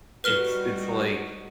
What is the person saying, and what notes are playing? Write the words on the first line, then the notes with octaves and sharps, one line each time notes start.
it's it's, like,
G3 D#4 F#4 B4 F6 G7